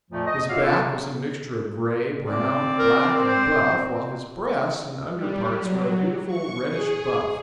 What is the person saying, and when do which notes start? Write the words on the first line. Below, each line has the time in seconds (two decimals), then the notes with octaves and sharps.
His back was a mixture of gray, brown, black and buff, while his breast and under parts were a beautiful reddish-buff.
0.11 F2 A#2 F3 A3
0.26 D#5
0.48 F4 F#4 C#5 D5 E5 F5
0.62 B3 F4 A4 E5
0.77 C3
2.27 C4 D5
2.79 A#4
3.27 C5
5.13 G3
5.59 F#3
6.26 C#6
6.68 G#4